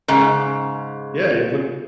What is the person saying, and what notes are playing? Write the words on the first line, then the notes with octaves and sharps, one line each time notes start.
Yeah, you'd but
G#2 C#3